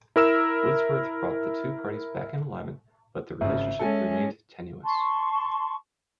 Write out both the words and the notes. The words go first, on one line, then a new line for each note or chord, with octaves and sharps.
Woodsworth brought the two parties back in alignment, but their relationship remained tenuous.
E4 A#4 E6 E7
G#1 C#3 E5
G#3 C#4 A4 G#5
A5 C6 C#6